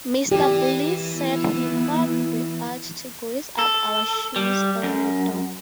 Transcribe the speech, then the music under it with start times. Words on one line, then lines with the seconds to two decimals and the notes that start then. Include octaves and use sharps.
Mr. Bliss said he thought we ought to grease up our shoes a little.
0.32 E3 G4
1.13 B3 E4
3.59 A4
4.36 G3
4.83 F#2